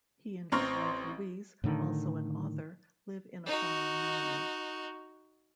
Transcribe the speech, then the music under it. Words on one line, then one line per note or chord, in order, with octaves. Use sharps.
He and his wife Louise, also an author, live in a former nunnery.
A1 C4 A#5 C6 C#6 F6
A2 D3 D#3
D#4 F#4